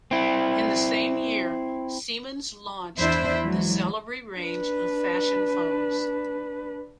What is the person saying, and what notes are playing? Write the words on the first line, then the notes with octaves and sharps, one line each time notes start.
In the same year Siemens launched the Xelibri range of fashion phones.
C4 E4
E2 D4 E4 C5 E5
E3 F#3 G#3
D4 B4